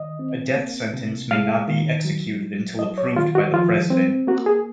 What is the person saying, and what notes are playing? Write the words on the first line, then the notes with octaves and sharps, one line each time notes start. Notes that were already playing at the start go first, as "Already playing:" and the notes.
A death sentence may not be executed until approved by the President.
Already playing: D#3 D#5
C4
A#3
C3
G#3 F5
D#3
F#3
F#3
F#3 D#5
C#5
D#3 F4
F#4
F3 F4
C4
A#3 F#4
G#4